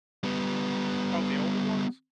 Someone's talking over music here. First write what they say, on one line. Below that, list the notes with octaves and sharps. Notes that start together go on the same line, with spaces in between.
Oh, the older ones?
G3 B3